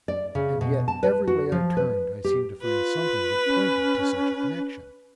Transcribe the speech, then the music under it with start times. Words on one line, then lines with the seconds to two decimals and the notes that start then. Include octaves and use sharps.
And yet, every way I turned I seemed to find something that pointed to such a connection.
0.08 D5
0.35 C#3
0.61 B2
0.88 A5
1.03 B4
1.27 F#4
1.52 F3
1.77 B4
2.24 G4
2.63 F4 B4
3.46 C#4